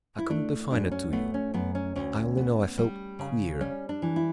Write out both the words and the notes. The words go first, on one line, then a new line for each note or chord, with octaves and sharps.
I couldn't define it to you, I only know I felt queer.
E4
A3 D4
F#2 D4
C#4
A3 B3
C#4
F#2 B3
C#4
D2 C#4
B3
G3
C#3
G3 C#4
D4
E3
E4